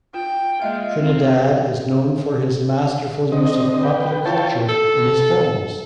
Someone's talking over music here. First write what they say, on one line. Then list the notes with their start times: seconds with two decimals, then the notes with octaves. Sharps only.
Trinidad is known for his masterful use of popular culture in his poems.
0.14 F4 G5
0.62 G#3 A#3 F4 D#5 E5
1.01 C4
3.32 D3 C4 D#5
3.83 B4 G5
4.26 E4 F4 C#5 G5 A5
4.69 A4